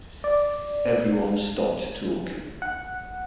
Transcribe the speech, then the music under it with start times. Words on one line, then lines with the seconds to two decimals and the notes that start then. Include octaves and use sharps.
Everyone stopped talking.
0.24 D5
2.62 F#5